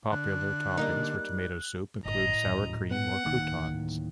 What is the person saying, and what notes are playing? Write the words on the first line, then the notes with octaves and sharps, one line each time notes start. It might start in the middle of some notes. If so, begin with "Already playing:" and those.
Popular toppings for tomato soup include sour cream or croutons.
D3 F#6
G3 A#3 D#4
G1 A2 D#5 A#5
D#1 F#2
B3 F#5
D1 D#3 A#3
A2